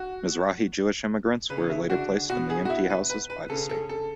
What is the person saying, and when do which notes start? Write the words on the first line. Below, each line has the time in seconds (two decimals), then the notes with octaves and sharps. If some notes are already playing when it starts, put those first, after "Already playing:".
Mizrahi Jewish immigrants were later placed in the empty houses by the state.
Already playing: F#4
1.50 C#3 C#4 B4
1.70 E4
1.90 D3 D4 F#4
2.30 B2 B3 F#4
2.50 G#4
2.65 F#4
2.70 E4
2.90 B4
3.09 B4
3.30 B4
3.49 C#3 C#4 A4
3.70 A4
3.89 A4